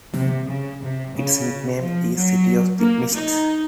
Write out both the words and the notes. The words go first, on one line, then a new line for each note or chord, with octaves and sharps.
Its nickname is City of the Mists.
C3
C#3
C3
C#3
F3
F#3
A#3
D#4